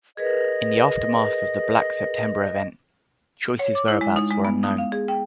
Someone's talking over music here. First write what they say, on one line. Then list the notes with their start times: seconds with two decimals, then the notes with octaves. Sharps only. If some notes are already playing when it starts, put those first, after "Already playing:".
In the aftermath of the Black September Event, Choice's whereabouts were unknown.
0.17 G#4 A#4 B4 D#5
3.59 C#5
3.75 D6
3.88 E4
4.01 G#3
4.16 D#4
4.30 G#3
4.45 B3
4.63 D#6
4.78 F5
4.92 G#4
5.08 G5